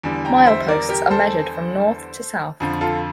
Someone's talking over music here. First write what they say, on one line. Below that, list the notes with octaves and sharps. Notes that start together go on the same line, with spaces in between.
Mileposts are measured from north to south.
E2 D3 G3
G5 A#5
C5 E5
A#4 D5
G4 A#4
A4 C5
F2 D3 F3
F4 A4